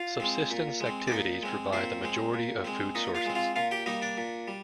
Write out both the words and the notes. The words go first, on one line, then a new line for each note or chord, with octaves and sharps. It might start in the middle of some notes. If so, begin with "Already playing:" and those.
Subsistence activities provide the majority of food sources.
Already playing: F4 F5
G#3 C4
A#2
G#3
C4
D5
A#2 D#4 D#5
G#3 C4
A#2 C4 C5
G#3 C4
A#2
G#3 C4
A#2 D#4 D#5
F4 F5
G#3 C4
F4 F5
A#2 F4 F5
G4 G5
G3 A#3 D#4 D#5
D4 D5
A#2
G3